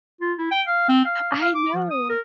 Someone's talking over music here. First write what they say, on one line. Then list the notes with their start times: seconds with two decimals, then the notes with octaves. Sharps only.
I know!
0.21 F4
0.39 E4
0.51 G5
0.67 F5
0.89 C4
1.05 F5
1.41 F5
1.55 D6
1.74 F3
1.91 D#6
2.10 A#4